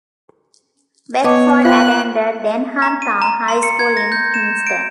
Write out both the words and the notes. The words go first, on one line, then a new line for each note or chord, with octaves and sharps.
Beckford attended Denham Town High School in Kingston.
B3 C#5 D#5 A5 D6
F4 C5 E5 F5 G5 C6 F#6
A#5
D#7
A#5
C6
C#7
G#6
A#6
G6
E7
D7